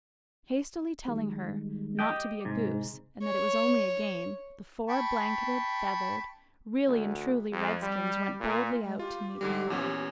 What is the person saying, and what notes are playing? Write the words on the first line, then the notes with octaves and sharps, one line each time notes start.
Hastily telling her not to be a goose, and that it was only a game, the four blanketed, feathered, really and truly Redskins went boldly out to meet the foe.
D#3 G3 G#3
G4 D#5 G5
G#2 C3
C#5
G5 A5 B5 C#6
D2
F2
G3
A#2
G#3
F4 G4
G#2 D3 G3
E2 A#2 C#4